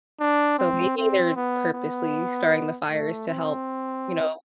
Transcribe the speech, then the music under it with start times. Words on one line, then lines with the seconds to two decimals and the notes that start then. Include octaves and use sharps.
so maybe they're purposely starting the fires to help, you know,
0.20 D4
0.59 C4
0.97 C4
1.36 B3
1.74 B3
2.89 A3
3.28 C4